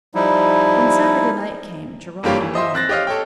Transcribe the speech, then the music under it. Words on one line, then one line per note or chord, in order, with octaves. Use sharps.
When Saturday night came Jerome did not.
F3 G3 D#4 E4
G1 G2 A#3 F4 G4 C#5
E3
C5 D#5 E5 C6
C4 F#6 A6 A#6
G4 C#5 D#5 F5 F6
A4 C#5 G5